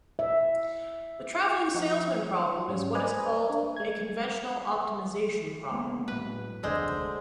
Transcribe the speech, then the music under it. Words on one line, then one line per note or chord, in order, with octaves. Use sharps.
The traveling salesman problem is what is called a conventional optimization problem.
E5
F3 D#4
G#2 G3 C#4
B4 C5 D5 D#5 G#5
D4
G#3 G#6
G#3 A#3 B3
A2 F#3 B4
F1 D2 D3 G#3 C5